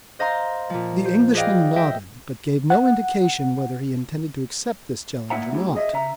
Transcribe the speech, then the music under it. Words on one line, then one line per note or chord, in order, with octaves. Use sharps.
The Englishman nodded, but gave no indication whether he intended to accept this challenge or not.
C5 D#5 F5 A#5 C6
A#2 F3
C5
G#4 B4 D5 D#5 F5 G5
D#5 E5 G5
F#5
A#2 E4 E5 F#5 A#5
A3 C#4 E4 F#4 G4
G#4 D#5 E5
C#3 E5 A#5